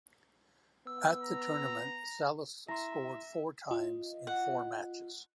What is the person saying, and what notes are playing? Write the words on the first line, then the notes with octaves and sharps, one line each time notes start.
At the tournament, Salas scored four times in four matches.
B3 E6
A#5
E4 E5 A#5 C6 A#6
F4 D#5
F#5